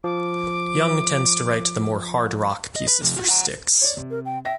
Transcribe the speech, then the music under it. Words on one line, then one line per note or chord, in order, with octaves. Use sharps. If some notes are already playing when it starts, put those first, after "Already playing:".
Young tends to write the more hard rock pieces for Styx.
F3 D6
D#5
B4
C3 F3
F4 F#4
F#5 A#5
C#5 D5
C3
A#4
G5
E5 G5 A#6